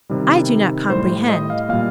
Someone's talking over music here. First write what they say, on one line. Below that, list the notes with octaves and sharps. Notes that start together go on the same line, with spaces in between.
'I do not complehend!'
C3 D#3 G3
A2 G3 C5
D#5
F5
A#2 G3 F5